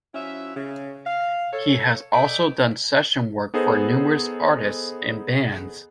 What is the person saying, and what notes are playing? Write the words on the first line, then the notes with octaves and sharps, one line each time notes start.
He has also done session work for numerous artists and bands.
F3 C#4 E4 F#4 E5
C#3
F5
A4 C#5
A4 D5 D#5 G5 G#5 B5
B3 D#4 G#4 A4 C5 D#5